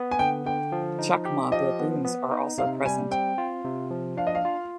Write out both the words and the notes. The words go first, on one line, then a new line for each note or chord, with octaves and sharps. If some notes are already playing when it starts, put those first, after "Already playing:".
Chacma baboons are also present.
Already playing: B3
G#5
D3 G5
D3 G5
F3
D#4
G4
F3 D#5
B3
B3
D#4
C3 F5
G3 G#5
C4 G5
F4
C3
F3
D4 F5
D#5
F5
F4